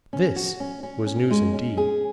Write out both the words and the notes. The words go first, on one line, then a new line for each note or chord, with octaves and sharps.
This was news indeed.
C#4
F#4
C#4
C#4
C#4
G#3
C#4
G#4